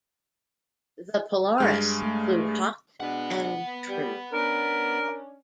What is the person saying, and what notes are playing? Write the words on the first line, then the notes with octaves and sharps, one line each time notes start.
The Polaris flew hot and true.
G2 G#3 F6
A3
B2 G#3 B3 D4 F#5
G3
C#4 D4 A#4